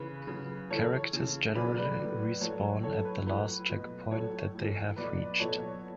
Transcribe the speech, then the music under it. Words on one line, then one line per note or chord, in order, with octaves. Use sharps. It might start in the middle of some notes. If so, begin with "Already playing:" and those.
Characters generally respawn at the last checkpoint that they have reached.
Already playing: C#3 E3 B4
C#3 F#3
C#3 E3 A4 C#5
C#3 E3
C#3 F#3 B4 D5
B4 D5
A2 F#3
A2 F#3 A4 C#5
A2 F#3 A4 C#5
B4
A2 F#3 B4
B2 F#3
A2 F#3 A4 C#5
A2 E3
B2 F#3 B4 D5
B2 F#3 A4 C#5